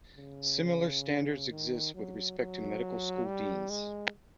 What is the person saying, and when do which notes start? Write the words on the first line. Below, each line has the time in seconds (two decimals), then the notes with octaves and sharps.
Similar standards exist with respect to medical school deans.
0.17 C#3
1.50 D#3
1.94 F#3
2.38 F#3
3.26 G3
3.70 G#3